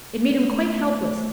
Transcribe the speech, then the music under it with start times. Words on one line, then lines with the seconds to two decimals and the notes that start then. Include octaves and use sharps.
It made him quite helpless.
0.31 A3
1.06 A3